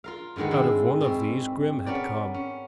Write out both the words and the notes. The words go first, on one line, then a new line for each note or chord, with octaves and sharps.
Out of one of these Grim had come.
F4 A#4 F5
G#2 D3 D#3 G#3 B3
G#3 C4 D4 E4
B2 C4
B3 C#4 A#4 D5
C#4